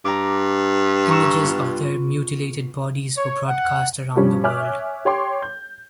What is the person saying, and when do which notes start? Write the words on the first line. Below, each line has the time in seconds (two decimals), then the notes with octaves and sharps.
Images of their mutilated bodies were broadcast around the world.
0.05 G2 A#5 D6
1.09 A#5 C#6 E6
1.44 B3 F4
3.18 C#5
3.48 F#5
4.16 G2 F3 G3 C#4
4.44 C#5 E5 G#5 D6 F6 F#6
5.05 G4 C#5 G5 C6 D6
5.42 G6